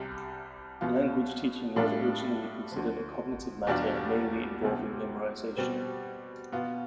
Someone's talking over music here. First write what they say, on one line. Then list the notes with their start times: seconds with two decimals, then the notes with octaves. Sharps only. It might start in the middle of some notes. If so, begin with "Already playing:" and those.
Language teaching was originally considered a cognitive matter, mainly involving memorization.
Already playing: C2 C3 G3
0.81 C2 B2 B3 F4
1.76 A2 G3 D4 F4
2.72 D2 D3 F3
3.67 E2 B2 G3 D4 F4
4.62 D2 C3 G3 B3 E4
5.57 B2 G3 C4
6.52 B2 B3 F4